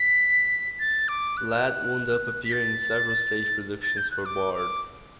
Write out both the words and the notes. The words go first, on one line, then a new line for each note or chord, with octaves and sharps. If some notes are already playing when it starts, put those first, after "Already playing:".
Ladd wound up appearing in several stage productions for Bard.
Already playing: B6
A6
D6
F#6
B6
A6
A6
G6
F#6
D6
D6